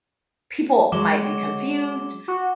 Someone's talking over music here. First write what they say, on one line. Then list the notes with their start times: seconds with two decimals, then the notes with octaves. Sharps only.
people might be confused
0.92 F#3 G#3 D6 G7
2.28 F#4